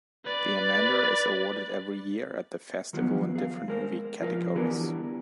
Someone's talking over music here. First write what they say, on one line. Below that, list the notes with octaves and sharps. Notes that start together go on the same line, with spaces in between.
The Amanda is awarded every year at the festival in different movie categories.
B4 D5
D#3 F3 F#3 B3
G#4 F5
G#3 A#4 C5
F3 F4 A#4 B4 F5
D3 E3 G3 B3 G#4 A#4